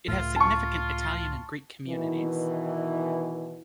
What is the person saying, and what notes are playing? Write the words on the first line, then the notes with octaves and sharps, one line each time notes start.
It has significant Italian and Greek communities.
C#2 A2 F4
F4 A5 C#6
B2 D#3 E3